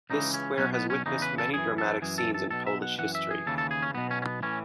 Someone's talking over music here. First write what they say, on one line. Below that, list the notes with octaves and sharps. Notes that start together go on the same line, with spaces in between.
This square has witnessed many dramatic scenes in Polish history.
C#2 C#3 E3 D#4
C#4
B1 B2 C#4
B3
C#4
E2 C#3 E3 D#4
B4
A4
F#2 E3 G#4
A4
F#2 E3 G#4
A4
A4
B1 B2 A4
E5
F#5
F#2 C#3 E3 F#5
E5
G#4
D#2 C#3 E3 A4
A4
G#4
C#4
B1 B2 B3
C#4
C#4
B3
A2 E3 C#4